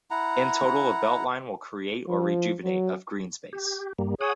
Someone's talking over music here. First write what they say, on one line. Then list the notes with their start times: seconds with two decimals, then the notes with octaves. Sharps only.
In total, the BeltLine will create or rejuvenate of greenspace.
0.11 E4 F#5 A#5
2.08 F3
2.64 F#3
3.53 G4
3.99 G2 G3 A#3
4.21 G#4 C#5 F#5 D#6